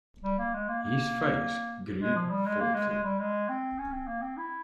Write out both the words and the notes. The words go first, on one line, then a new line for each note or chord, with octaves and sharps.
His face grew thoughtful.
G3
A#3
G#3
A#3
A#3
G#3
F3
G3
G#3
A#3
G#3
G#3
G3
G#3
C4
C#4
C4
A#3
C4
E4